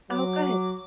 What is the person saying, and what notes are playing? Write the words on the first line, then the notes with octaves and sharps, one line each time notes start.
Oh, good.
F#3 D6